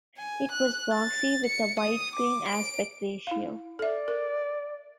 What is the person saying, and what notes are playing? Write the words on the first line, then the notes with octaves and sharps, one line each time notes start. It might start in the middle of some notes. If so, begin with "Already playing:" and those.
It was boxy, with a "widescreen" aspect ratio.
G#5
F#6
A6
C#7
D#6
D6
D7
E4 F5
A4 D5 E5
A#4